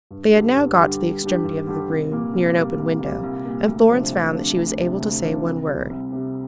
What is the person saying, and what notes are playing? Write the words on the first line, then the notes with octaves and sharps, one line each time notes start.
They had now got to the extremity of the room near an open window, and Florence found that she was able to say one word.
G2
D3 G3 D4 G4
G2
D3 G3 D4 G4
G2
D3 G3 D4 G4
G2
D3 G3 D4 G4
C2
A#2 G3 A#3
C2
A#2 G3 A#3
C2
A#2 G3 A#3
C2
A#2 G3 A#3
D2
C3 F3 D4
D2
C3 F3 D4
D2
C3 F3 D4
D2
C3 F3 D4
C2
C3 G3
C2
C3 G3